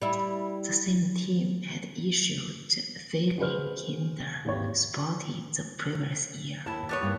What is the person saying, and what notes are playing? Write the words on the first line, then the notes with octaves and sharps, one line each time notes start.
The same team had issued "Feelin' Kinda Sporty" the previous year.
G3 E4
F#4 G#4 B4 C5 F6
D#1 G#1 E3 G4 C#5
D#2 E4 A5
G3 B3 C#5
G2 A#3 D#4